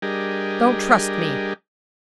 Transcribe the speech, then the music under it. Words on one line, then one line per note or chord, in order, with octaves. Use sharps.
"Don't trust me!"
G3 D4 G4 G#4 A#4 D#5